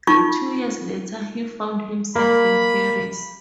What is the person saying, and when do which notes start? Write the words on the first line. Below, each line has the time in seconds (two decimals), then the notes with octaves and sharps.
Two years later he found himself in Paris.
0.07 D#4 F4 C#6
2.16 A#3 B5